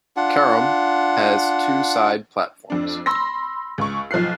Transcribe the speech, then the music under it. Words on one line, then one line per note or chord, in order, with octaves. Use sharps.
Carrum has two side platforms.
D4 F4 F#5
F2 D4
B5 C6 E6 A#6
C#2 C#6
B1 F3 F6 F#6 C7